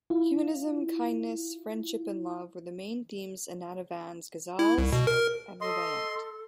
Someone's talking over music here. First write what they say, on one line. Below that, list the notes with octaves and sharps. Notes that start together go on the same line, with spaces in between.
Humanism, kindness, friendship and love were the main themes of Natavan's ghazals and ruba'yat.
E4 F4
E4
C2
B2
A#4
A4 D#5 C6